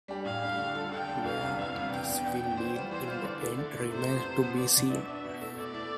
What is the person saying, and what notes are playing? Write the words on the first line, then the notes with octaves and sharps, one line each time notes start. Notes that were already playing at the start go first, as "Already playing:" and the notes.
Where this will lead in the end remains to be seen.
G3 D4 G4
A2 F5
G3 D4 G4
D3
G3 D4 F4 A4
D3 G5
G3 D4 F4 A4
C2 F5
C3 G3 B3 D4
C2 F5
C3 G3 B3 D4
E2 G5
B2 B3 D4
E2 G5
B2 B3 D4
E3 C5
G3 B3 F4
E3 C5
G3 B3 F4
D3 D5
A3 E4
D3
A3 E4
C3 C5
F3 B3
C3
F3 B3
B2 D5
B3 D4
B2 E5
B3 D4
B2
A3 E4
B2 D5
A3 E4